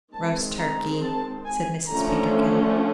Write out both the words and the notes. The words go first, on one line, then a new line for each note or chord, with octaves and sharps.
"Roast turkey," said Mrs. Peterkin.
D#3 G#3 C4 A5
A#5
A5
G#5
D3 F3 A3 C#4 A#5